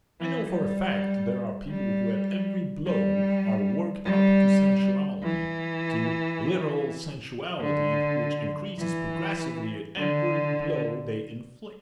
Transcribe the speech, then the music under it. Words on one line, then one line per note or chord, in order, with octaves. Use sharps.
I know for a fact there are people who at every blow are worked up to sensuality, to literal sensuality, which increases progressively at every blow they inflict.
E3
G3
G3
G3
G3
E3
D3
E3
D3